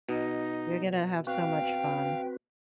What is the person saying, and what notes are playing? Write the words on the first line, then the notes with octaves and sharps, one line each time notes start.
You're gonna have so much fun.
B2 D#4
C4 F#4 B4 F5 G5